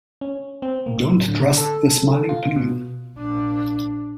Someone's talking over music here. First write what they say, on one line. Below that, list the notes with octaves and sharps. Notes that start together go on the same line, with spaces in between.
Don't trust the smiling penguin.
C#4
C4
A#3
A2
D3
A4
F4
B2
A#1 D4